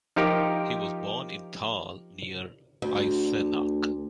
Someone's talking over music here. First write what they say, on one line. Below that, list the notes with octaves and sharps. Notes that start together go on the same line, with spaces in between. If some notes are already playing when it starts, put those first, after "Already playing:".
He was born in Thal near Eisenach.
F3 D#4 F4 G4 A#4
D2